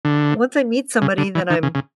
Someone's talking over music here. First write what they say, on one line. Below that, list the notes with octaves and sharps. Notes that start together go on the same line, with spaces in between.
once I meet somebody, then I'm
D3
C#3
D3
E3
D#3
C#3
C#3